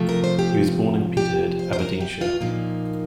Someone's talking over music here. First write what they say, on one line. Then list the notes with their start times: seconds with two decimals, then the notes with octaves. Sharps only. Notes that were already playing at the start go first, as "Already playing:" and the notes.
He was born in Peterhead, Aberdeenshire.
Already playing: C3 F3 A3
0.09 A#4
0.24 C5
0.39 G4
1.17 G4
1.59 C5
1.73 C5
1.79 A#4
2.01 G4
2.21 F4
2.41 A#2 F3 A#3 D#4